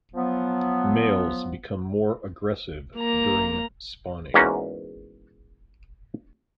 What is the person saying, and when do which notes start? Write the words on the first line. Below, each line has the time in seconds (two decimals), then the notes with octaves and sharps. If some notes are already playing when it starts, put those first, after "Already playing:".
Males become more aggressive during spawning.
0.14 F3 F#3 B3
2.97 A#3 A#5
4.34 E2 G#2 A#3 C#4 F#4 C5